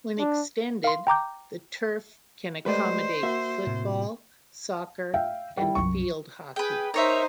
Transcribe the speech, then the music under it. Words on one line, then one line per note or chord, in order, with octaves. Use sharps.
When extended, the turf can accommodate football, soccer, and field hockey.
D4
F5 C6
G5 A#5 D6 G6
G#3 A3 G4 B4 C5 D5 D#5
A#3 F#4 E5
A2 C3
E5 F5 G5
G3 E4
C2 F#2 C#6
G#4 B4 G5
D#4 A#4 C5 C#5 D#5 E5